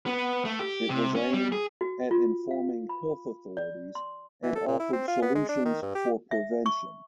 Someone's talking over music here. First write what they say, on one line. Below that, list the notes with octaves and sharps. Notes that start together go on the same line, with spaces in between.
It was aimed at informing health authorities and offered solutions for prevention.
B3
A3
G4
C3
C#4
G3
G#4
F#4
F4
F5
B5
D5
C6
E3
A4
A#2
E4
C4
F4
B3
G#3
D4
D#3
G2
G4
E5
C#6